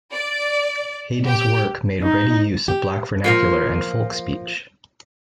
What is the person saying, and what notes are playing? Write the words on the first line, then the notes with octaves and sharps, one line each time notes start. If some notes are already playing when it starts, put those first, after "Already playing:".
Hayden's work made ready use of black vernacular and folk speech.
D5
G4
D#4
G4
F3 A#3 F4